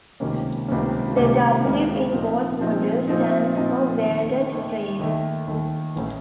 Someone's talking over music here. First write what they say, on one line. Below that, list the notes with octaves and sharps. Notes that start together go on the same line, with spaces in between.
The "W" in both models stands for welded frame.
C#2 C3 D#3 A#3 C#4
C#2 C3 D#3 A#3 C#4
C#2 C3 D#3 A#3 C#4
C#2 C3 D#3 A#3 C#4
A#2 F3 C4 D#4
A#2 F3 C4 D#4
A#2 F3 C4 D#4
A#2 F3 C4 D#4
D#2 D#3 A3
D#2 D#3 A3
D#2 D#3 A3
D#2 D#3 A3
A1 A2 A3 C#4